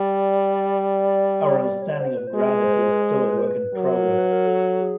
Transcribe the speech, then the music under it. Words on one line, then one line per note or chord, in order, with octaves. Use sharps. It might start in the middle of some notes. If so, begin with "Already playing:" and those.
Our understanding of gravity is still a work in progress.
Already playing: G3 D5
D5
C#5
C5
B4
C5
G#3 B4
C5
B4
C5
B4
C5
B4
C5
B4
C5
B4
C5
B4
F#3 A#4
B4
A#4
A4
G#4